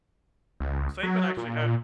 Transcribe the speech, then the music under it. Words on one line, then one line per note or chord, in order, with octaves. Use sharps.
Saban actually had
C#2
F#3
A#2